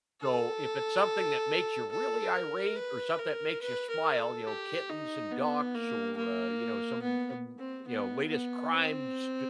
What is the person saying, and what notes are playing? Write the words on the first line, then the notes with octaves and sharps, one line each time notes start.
So if it's something that makes you really irate or something that makes you smile, you know, kittens and ducks or, uh, you know, some some, you know, latest crimes,
A4
A4
A#4
B4
A#4
B4
A#4
A4
G4
D#4
B3
A#3
A#3
B3
C4
B3
B3
C4